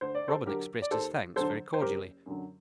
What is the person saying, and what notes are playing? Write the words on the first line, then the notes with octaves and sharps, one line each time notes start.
Robin expressed his thanks very cordially.
D2 C5
D5
A4 C5
D3 F#3 G4 A#4
D5
D#2 A4 C5
D3 F#3 A4 C5
C5
F#1 G4 A#4
F#2 D3 F#3